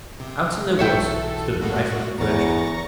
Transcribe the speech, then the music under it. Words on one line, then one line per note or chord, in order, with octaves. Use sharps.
Out in the woods stood a nice little Fir Tree.
C3
B1 E3 A4 C#5 E5 G5
A2 G#3 A#3 F#4
G1 E2 A#5 C#6 A6 A#6